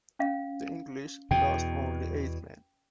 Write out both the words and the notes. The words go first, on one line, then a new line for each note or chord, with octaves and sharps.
The English lost only eight men.
C#4 F5
E2 B2 G5